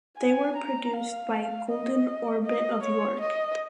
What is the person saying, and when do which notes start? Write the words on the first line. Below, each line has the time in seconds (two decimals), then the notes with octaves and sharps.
They were produced by Golden Orbit of York.
0.18 G#5
0.56 A#5
0.93 F5
1.69 D#5
2.45 D#5
2.82 C#5
3.20 D#5